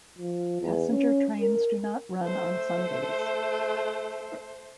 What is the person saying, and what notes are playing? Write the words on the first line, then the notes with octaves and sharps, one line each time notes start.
Passenger trains do not run on Sundays.
F3
E2
C#4
A#4
A3 C5